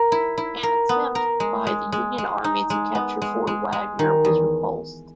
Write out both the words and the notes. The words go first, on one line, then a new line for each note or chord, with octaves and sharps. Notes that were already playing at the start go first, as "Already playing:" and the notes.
An attempt by the Union Army to capture Fort Wagner was repulsed.
Already playing: A#4
E4
E4
A#4
B3
A#4
G#3
G#3
G#3
G#3
D#4
G#3
B3
G#3
G#3
G#3
D#3
E2